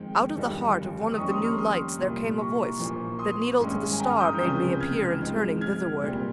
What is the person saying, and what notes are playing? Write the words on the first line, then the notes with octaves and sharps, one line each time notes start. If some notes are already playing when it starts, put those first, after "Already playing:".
Out of the heart of one of the new lights There came a voice, that needle to the star Made me appear in turning thitherward.
Already playing: F2 D#3 G#3 C4 G5
G1 F2 D#3 G3
D#6
F2 D#3 G3 A#3 C#4 A#5 C#6
C6 D#6
C#6 F6
C6 D#6
C2 A#2 G3
A#5 C#6
A#1 A#2 F3 A#3
C6 D#6
G#1 G2 D#3 G#3 C#4
G#5
G5 A#5
F6
D#6 G6
C#2 C3 F3 G#3 C#4 D#6 G6
F6 G#6
G#2 F3 G#3 C4
F6 G#6
C2 A#2 G3 C4